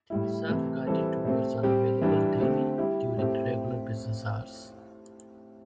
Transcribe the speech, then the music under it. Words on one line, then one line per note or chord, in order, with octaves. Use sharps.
Self-guided tours are available daily during regular business hours.
A2 G3 E4
C3 E3 A3 E4
E3 G3 C4 A4
C3 A3 C4
G3 C4 G4
E3 G3 D4 G4
D3 A3 C4 G4
G3 E4 G4
A2 A3 C4 E4 G4